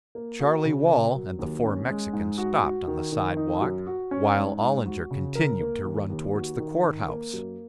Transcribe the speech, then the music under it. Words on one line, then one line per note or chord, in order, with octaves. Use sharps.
Charlie Wall and the four Mexicans stopped on the sidewalk, while Ollinger continued to run towards the court house.
A#3
F#4
C#3
A#4
F#3
D#2
C#4
G#3
G#2
F#4
F#4
D#3
D#3
D#4
F#2
F#4
C#4
G#2
G#2
F#4
C#3
A#4
A#3
D#2
D#2
F#4
D#3
D#3
A#3
F#2